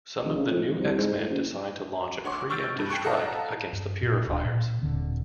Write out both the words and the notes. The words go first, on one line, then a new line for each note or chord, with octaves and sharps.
Some of the New-X-Men decide to launch a pre-emptive strike against the Purifiers.
F1
C#3
F2
G#1
C2
G#2
A2
F#1
D2 C#5 C6 D6
C#6 E6 F6 G6 A6 D7
A1 G2
G5 A5 C#6 F#6
A4 D#5 F5 F#5 A5 A#5
G2
A#2
D1 D4
A#2
D#1 A#2 D3 C4